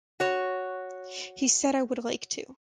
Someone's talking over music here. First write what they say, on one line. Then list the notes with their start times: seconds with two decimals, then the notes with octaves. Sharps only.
He said I would like to.
0.20 F#4 C#5